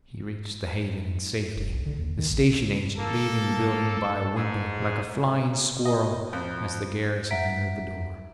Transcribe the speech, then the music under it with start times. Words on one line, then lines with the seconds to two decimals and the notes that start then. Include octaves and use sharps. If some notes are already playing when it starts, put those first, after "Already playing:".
He reached the haven in safety, the station agent leaving the building by a window, like a flying squirrel, as the garrison entered the door.
1.56 E1
1.73 B1
1.86 D3
1.98 D#2
2.18 D#3
2.32 A1
2.97 A#3 A4
4.35 G#2 G#4
5.86 D#5
6.33 F2
7.31 E5 F#5 A#5 B6 D7